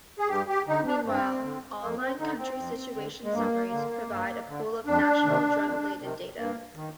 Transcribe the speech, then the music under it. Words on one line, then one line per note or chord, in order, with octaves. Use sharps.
Meanwhile, online country situation summaries provide a pool of national drug-related data.
G#4
G2 G4
G4
D3 D#4
D4
G2 C4
D3
F2 A#3
C4
D3 D#4
C4
F2
D3
G#3
G2 A#3
D3
G2
D3
F2 D4
C3 D#3
F2
C3 D#3
G2 A#3
D#3